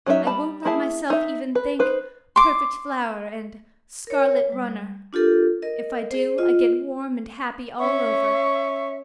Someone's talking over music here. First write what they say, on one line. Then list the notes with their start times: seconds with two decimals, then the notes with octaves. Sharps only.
I won't let myself even think "perfect flower" and "scarlet runner." If I do, I get warm and happy all over.
0.06 F#3 C#4 D#4 G#4 E5
0.27 G3 A5 B5
0.65 A#3 E4 G#4 E5 A5
1.10 D#4 E5
1.55 B4
1.79 D#4 B4 C5
2.36 C6 D6
4.07 A#4 C#5
4.52 G3
5.13 D4 F4 G4 A4 A#4
5.62 A#4 D#5
6.11 G#4 C5
6.38 F4 D#5
7.79 C#4 E5 C#6